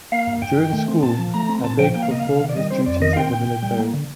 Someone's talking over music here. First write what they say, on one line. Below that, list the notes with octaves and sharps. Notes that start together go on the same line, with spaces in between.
During school, Abegg fulfilled his duties in the military.
A#3 F5
G2
G2 G5
D#3
A3
C4
A#2 A5
F3
A3 A#5
C4
A#2 A5
F3 G5
A#3 G5
F5
C3 D#5
F5
C3
D#3
D5
G3 D#5
C4 C5
F2 D5
D#3 D#5
F5
C4 G5
A#2
A#2
G3
A#3
D3